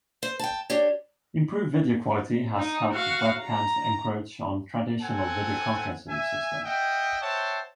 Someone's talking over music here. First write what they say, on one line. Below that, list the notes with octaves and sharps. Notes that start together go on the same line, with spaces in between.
Improved video quality has helped webcams encroach on traditional video conferencing systems.
C5
G5 A5
D4 G4 C#5
D#4
F#4 F5
A#5
C4 A4 F#5 G#5
E5 G#5
D#5 E5 F#5 G5
C5 C#5 E5 F#5 G5 A5